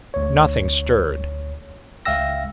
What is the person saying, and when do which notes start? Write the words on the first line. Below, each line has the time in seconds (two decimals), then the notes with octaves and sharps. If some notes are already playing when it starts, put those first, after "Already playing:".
Nothing stirred.
0.14 D2 C#5
2.05 C#2 E5 F5 G5 E6 A#6